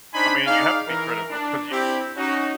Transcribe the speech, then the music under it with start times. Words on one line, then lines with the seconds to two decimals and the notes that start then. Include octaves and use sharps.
I mean, you have to be critical, 'cause you
0.14 D4 D#4 C5 G#5 B5
0.46 D#4 G#4 D5 F5
0.87 E3 A#4
1.30 D4
1.71 C4 D4 E4 G4
2.17 C#4 D#4 F#4